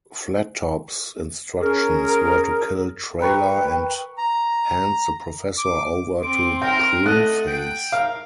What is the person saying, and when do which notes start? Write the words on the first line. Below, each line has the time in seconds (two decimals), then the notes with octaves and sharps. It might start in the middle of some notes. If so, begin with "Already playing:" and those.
Flattop's instructions were to kill Trailer and hand the Professor over to Pruneface.
1.62 C#4 G#4 A#4
3.20 A#4 B4 G5 C#6
4.18 A#5
5.58 D6
6.22 C4 C6 D6
6.62 A#4 G5
7.06 A3 D#5 F#5 F#6
7.47 G5
7.92 A#4 F5